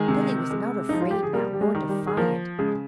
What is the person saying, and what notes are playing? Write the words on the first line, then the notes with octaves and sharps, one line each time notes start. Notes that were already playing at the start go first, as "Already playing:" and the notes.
Billy was not afraid now, nor defiant.
Already playing: D#3 G#3 G#4
C3
G#3
F3 D#4
F4
G4
G#4
G3 A#3 A#4
G4
G#3 G#4
D#3
G3 G4
G#4
F3 A#3 A#4
C#3 G#3 G#4